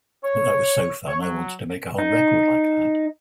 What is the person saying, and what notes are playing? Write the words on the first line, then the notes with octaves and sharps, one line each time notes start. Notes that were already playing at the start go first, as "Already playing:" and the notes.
That was so fun-I wanted to make a whole record like that.
C#5
C#5
F#3
D#4